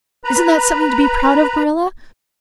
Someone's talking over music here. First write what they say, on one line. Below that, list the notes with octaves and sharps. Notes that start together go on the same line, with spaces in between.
Isn't that something to be proud of, Marilla?
B4 A#5 B5